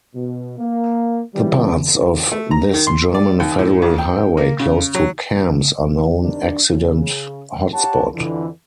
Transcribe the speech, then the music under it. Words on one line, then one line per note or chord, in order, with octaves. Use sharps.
The parts of this German federal highway close to Cambs are known accident hotspot.
B2
A#3
C#3 E3 G3
A3
A#5
D#3
C6
D5
D#2
A2
F2
G5
A#3
C#3
F#3
G2 C3 D#3 D4
C#3
G4 C#5 F#5 A5
F2 D3 E3